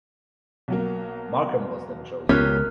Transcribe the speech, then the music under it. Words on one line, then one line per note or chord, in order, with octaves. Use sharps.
Markham was then chosen.
B1 F#3 A#3
C#2 B3 C#4 F4 G4 A#4 F6 F#6